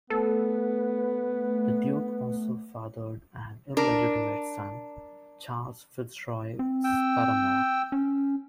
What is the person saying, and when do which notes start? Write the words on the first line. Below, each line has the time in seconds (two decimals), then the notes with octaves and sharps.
The Duke also fathered an illegitimate son, Charles FitzRoy-Scudamore.
0.10 A3 B3 A4 B4
3.77 D4 A#4
6.59 C4
6.84 G5 E6
7.92 C#4